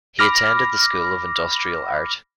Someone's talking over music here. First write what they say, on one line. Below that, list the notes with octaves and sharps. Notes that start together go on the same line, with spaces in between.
He attended the School of Industrial Art.
B5 D6 F6 A#6